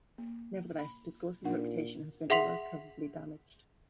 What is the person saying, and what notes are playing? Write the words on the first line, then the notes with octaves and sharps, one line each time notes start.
Nevertheless, Piskorski's reputation has been irrecoverably damaged.
A#3
B5
A#2 D4 D#4 F#5
G#4 E5 F#5 C6 B6 F7